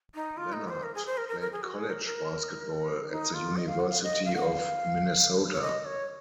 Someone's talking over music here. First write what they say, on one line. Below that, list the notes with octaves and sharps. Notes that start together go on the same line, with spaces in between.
Lenard played college basketball at the University of Minnesota.
D#4
F4
D#4
C5
A#4
G#4
C5
A#4
A#4
A#4
G#4
F#4
G#4
A#4
A#4
D#4
F4
D#5
F5
F#5
F5
D#5
F5
F#5
F5
C#5
D#5
C#5